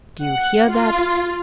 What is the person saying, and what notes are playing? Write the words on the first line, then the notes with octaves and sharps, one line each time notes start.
Do you hear that?
F#5
F4